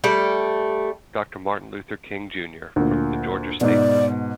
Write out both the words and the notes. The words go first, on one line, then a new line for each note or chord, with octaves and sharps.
Doctor Martin Luther King Junior from the Georgia State Prison.
G3 A3 D5
D2 A#2
G#2 B2 D5